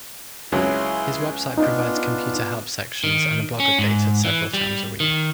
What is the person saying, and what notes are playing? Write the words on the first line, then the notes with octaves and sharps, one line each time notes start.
His website provides computer help sections and a blog updated several times a week.
C#2 F#3 E4 G#4 C6
B3 D4 D#4 F4
D#3
C#4
G#2
E3
G3
D#3